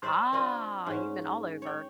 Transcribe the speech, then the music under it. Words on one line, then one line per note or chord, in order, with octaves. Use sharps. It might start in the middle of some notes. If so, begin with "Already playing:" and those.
Ah, you've been all over.
C5 D5 E5
C4 D4 F4 D#5
G#2 C#4
C#5 G5